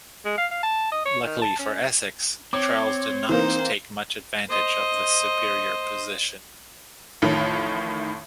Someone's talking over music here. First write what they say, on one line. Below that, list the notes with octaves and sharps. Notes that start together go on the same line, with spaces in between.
Luckily for Essex, Charles did not take much advantage of this superior position.
G#3
F5
F5
A5
D#5
C#5
D#3
A5
C#4
C4 C#5 D6
E3 A#3 D#4 C5
C5 D#5
A1 F2 A2 D#3